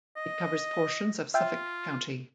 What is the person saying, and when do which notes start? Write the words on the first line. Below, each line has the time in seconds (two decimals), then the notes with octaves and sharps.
It covers portions of Suffolk county.
0.16 D#5
1.34 F4 E5 G5